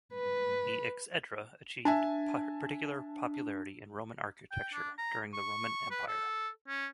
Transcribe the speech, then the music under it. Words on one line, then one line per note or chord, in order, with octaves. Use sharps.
The exedra achieved particular popularity in Roman architecture during the Roman Empire.
B4
D4 E5 G#5 A5
G5
D4
A#5
C#6
B4
A4
C#4